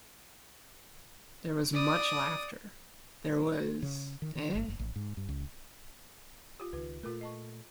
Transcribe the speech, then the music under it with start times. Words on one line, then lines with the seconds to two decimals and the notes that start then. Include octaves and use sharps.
'There was much laughter.' 'There was, eh?'
1.73 D5 D#6
3.82 C#3
4.22 D#3
4.35 D#3
4.55 G1
4.68 F#1
4.79 A1
4.96 G#2
5.17 G2
5.29 C#2
6.60 F4 G4
6.73 C#2 D#3 F4 B4
7.03 A#2 A3 F4 A4 A#4
7.21 D#5 A5 C#6